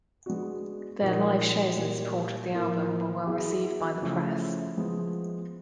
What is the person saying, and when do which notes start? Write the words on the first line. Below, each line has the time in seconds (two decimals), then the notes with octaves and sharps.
Their live shows in support of the album were well received by the press.
0.26 G#3 B3 D4 F#4
1.01 A#2 F3 A#3 D#4
1.76 A#2 G3 A#3
2.51 A2 F3 A#3
3.26 F#3 B3 E4 G#4
4.01 C#3 F3 A3 C#4 E4
4.77 F3 G#3 B3